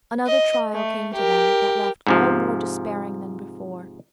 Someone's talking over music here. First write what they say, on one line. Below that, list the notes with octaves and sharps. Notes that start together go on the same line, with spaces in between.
Another trial came to them that left all more despairing than before.
D#5
A3
G4 A#4
G#2 C3 F3